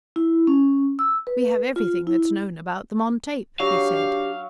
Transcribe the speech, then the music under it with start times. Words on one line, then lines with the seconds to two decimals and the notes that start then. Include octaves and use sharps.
"We have everything that's known about them on tape," he said.
0.16 E4
0.47 C#4
0.99 E6
1.27 B4
1.76 F4
2.07 E4
3.60 F#3 D4 G4 F5